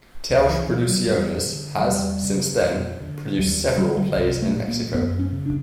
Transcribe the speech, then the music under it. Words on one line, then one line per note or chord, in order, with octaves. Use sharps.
Telch Producciones has, since then, produced several plays in Mexico.
C#2
E3
B2 F3
F#3
F2 G3
D3
F#3
E2 G3
C#3
F2
D3
D#2 G3
D3 G3
G3
C2
A3
A#2
A#3
F#2 B3
C#4
C#3
D4